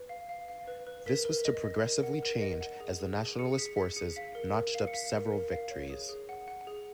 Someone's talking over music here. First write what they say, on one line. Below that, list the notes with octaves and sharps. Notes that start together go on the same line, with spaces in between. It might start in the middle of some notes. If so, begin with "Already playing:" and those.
This was to progressively change as the Nationalist forces notched up several victories.
Already playing: B4
F5
F5
F5
B4
B4
A#4 B6
A#4
D#5
D#5
A#4
F#5
A#4
D#5
F#5
G#4
G#4
G#4
G#4 C#7
C#7
G#4 B6
G#4 B6
G#4 C#7
F5 B6
A#4
A#4
F5
C#7
F5 B6
A#4
A#4
F5
C#5
G#4
G#4
F#5
F#5
G#4